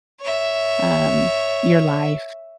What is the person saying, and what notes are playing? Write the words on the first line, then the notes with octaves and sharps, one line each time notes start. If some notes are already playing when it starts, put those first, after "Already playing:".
um, your life.
C#5 E5